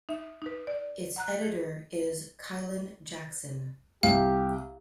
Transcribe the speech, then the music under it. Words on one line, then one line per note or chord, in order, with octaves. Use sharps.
Its editor is Kyeland Jackson.
D#4 E5
D#4 B4
D5
F#5 A#5 F#6
G#4
C2 G4 F5